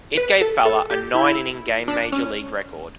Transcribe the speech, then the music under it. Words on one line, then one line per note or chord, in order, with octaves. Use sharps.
It gave Feller a nine-inning game major league record.
B4
A4
A4
G4
E4
D4
C#4